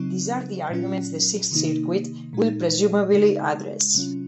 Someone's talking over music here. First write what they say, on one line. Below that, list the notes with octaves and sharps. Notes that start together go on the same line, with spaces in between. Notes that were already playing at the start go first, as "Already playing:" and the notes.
These are the arguments the Sixth Circuit will presumably address.
Already playing: C#3 F#3 C4 D#4
A#2 F#3 C#4 F4
C3 D#3 A#3 D#4
A#2 G#3 D#4
C#3 G#3 D#4
C3 F#3 C#4 F4